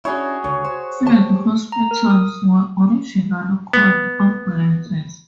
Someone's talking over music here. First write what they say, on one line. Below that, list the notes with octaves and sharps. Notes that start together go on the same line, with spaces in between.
Field hospitals were originally called ambulances.
C#4 D4 E4 F#4 G#4 C#5
C#2 D3 C#5
F#4 C5
G#3 G4 C5 A5
A#5
A#4
D#6
B3